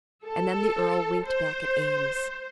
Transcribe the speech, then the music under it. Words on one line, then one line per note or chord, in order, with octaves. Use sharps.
And then the earl winked back at Eames.
A4
C5